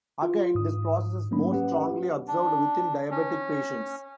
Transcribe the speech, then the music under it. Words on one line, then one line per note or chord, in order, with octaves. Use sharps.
Again, this process is more strongly observed within diabetic patients.
F4
G#2 D#6
F#3 A3 A#3 C#4 B5
C#4 G4 B4 F#5
D4
C#4